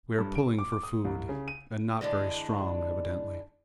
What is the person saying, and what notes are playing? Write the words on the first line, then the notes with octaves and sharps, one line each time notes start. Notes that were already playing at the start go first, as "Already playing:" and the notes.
We are pulling for food and not very strong evidently.
G2
D7
D6
D6
D#6
C2
C#3
D#7
D3 E3 G#3 D4